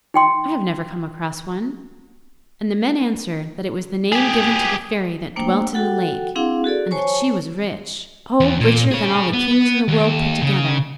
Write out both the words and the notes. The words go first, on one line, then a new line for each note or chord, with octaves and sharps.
'I have never come across one.' And the men answered that it was the name given to the fairy that dwelt in the lake, and that she was rich--oh! richer than all the kings in the world put together.
D#4 G5 C6
G4 G#4
A3 A#3 D4 C5 G5
F#4 A4 F#5 G5
C4 D4 E4 G#4 F5 F#5
F#4 G#4 A4 D5
C5 C#5 G#5 A5 C#6
E2
A#2
G#4 C#5
B3
D#2
C#3